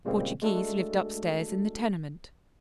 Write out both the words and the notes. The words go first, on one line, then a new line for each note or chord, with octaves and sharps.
Portoghese lived upstairs in the tenement.
A#2 C#3 G3 G#3 A#3 C4
G#3 A3 D4 F#4 A4